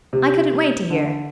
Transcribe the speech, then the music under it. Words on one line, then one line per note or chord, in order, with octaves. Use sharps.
'I couldn't wait to hear.
C3
D3